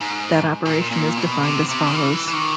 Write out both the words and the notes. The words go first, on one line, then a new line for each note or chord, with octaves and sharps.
That operation is defined as follows.
G#2
A#2
A#2
B2
C3
C3
D#3
E3
E3
D#3